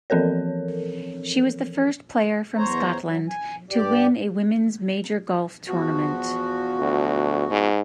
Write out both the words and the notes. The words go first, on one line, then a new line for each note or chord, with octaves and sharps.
She was the first player from Scotland to win a women's major golf tournament.
E3 F3 C4 A4 A#4 C#5
E2 C5 C#5 A#5
F#3
G#5
G2 G4 D5
E2 F3 F#4
D2
G#2